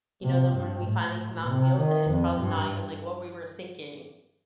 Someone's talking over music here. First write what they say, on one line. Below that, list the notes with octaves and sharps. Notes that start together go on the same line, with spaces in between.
you know, then when we finally come out and deal with it, it's probably not even, like, what we were thinking.
C3
G2
A2
C3
D#3
F2
G2